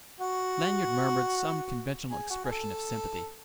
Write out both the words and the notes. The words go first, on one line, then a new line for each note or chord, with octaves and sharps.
Lanyard murmured some conventional expression of sympathy.
F#4
G#4
F#4
G#4
A4